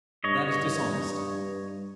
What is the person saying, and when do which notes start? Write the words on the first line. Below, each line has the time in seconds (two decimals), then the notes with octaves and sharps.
That is dishonest.
0.24 G2 C#5 D#5